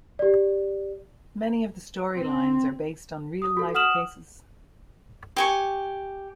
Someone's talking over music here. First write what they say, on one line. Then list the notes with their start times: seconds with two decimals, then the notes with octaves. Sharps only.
Many of the storylines are based on real-life cases.
0.19 G4 D5
2.15 C4
3.42 D#6
3.57 F#4 A4
3.75 F#5 D#6 F6 E7 F#7
5.36 G4 G#5 C#6